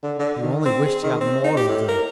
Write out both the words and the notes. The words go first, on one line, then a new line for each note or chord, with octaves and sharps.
He only wished he had more of them.
D3
D3
D#3
C4
G#4
D#3
C4
D#4
G4
A2
A#4